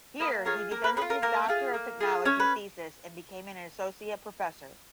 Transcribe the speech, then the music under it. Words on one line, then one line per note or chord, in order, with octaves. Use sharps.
Here he defended his Doctor of Technology Thesis and became an associate professor.
A#3 B4 D#5
F4 G#4 A#4 C#5
A#3 A#4
B4
G#4 B4
F4
A#4
A#3 A#4
F4 G#4
A#3
F4 G#4
C#4 C#5
B4